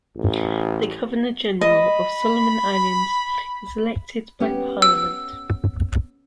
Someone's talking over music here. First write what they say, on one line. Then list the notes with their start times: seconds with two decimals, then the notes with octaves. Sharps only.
The Governor-General of Solomon Islands is elected by parliament.
0.16 A1
1.61 D#5 B5
4.40 B3 C#4 G4
4.82 E6